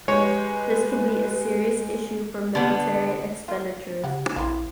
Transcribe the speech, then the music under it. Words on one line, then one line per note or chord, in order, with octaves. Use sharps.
This can be a serious issue for military expenditures.
G#3 G4 B4 C#5
D3 B3
F#3 A#3 F4
C#3 G4 F#5
A#1 C4 E4 F4